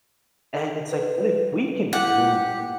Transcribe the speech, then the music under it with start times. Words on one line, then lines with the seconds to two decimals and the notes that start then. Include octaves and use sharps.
and it's like, "What if we can move"
0.91 B4
1.93 E4 G4 F#5